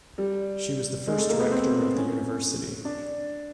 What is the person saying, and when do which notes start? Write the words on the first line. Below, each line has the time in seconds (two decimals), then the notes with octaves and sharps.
She was the first rector of the university.
0.18 G3
1.07 G#3
1.18 A3
1.29 A#3
1.39 B3
1.51 C4
1.96 C#4
2.85 D4